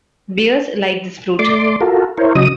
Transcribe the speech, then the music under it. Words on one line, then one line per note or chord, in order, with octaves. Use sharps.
Bears like this fruit.
A3 D5 C6 D6
F4 F#4 A4 A#4
E4 A#4 C5 C#5
C#3 F#3 D#5 D#6